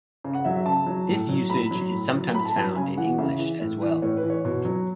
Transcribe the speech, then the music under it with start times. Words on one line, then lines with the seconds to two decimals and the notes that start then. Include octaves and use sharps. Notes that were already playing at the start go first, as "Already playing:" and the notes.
This usage is sometimes found in English as well.
0.24 C#3
0.35 F#5
0.45 F#3 E5
0.56 E5
0.66 C#3 A5
0.87 F#3
1.09 A2
1.29 F#3
1.50 A2 B5
1.71 F#3
1.92 A2
2.14 F#3
2.34 A2 B5
2.45 A5
2.56 F#3 B5
2.76 C#3 G#5
2.98 E3 F#5
3.18 C#3 E5
3.39 E3
3.61 A2
3.82 E3
4.02 A2 C#5
4.17 B4
4.23 E3
4.30 C#5
4.45 B2
4.65 F#3